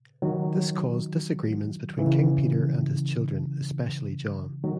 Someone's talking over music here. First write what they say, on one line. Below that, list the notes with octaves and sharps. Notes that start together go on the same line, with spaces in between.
This caused disagreements between King Peter and his children especially John.
D#3 F#3
C#3 E3
D#3 F#3